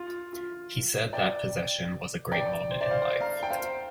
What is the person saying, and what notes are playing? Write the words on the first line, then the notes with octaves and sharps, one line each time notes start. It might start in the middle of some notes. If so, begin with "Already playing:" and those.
He said that possession was a great moment in life.
Already playing: F4
F4
D5 G5
D5 G5
C5
D5
C5 F5
F5 A#5
G5
C5 F5